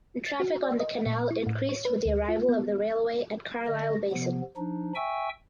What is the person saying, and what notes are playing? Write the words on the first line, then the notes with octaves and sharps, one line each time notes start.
Traffic on the canal increased with the arrival of the railway at Carlisle basin.
A6
F#4
D5
D#5
A#2
E4
A2
C#5
B4
D2
F4
B3
D3 D#5
C3 F3 B3
F3 D4 D#4
E5 G5 G#5 C#6 E6